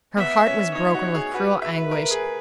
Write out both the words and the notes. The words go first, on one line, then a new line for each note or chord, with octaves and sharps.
Her heart was broken with cruel anguish.
B3 E5
C#4
D#4 C#5
F#4
G#4
F#4 B4
B4 E5
A#4
G#4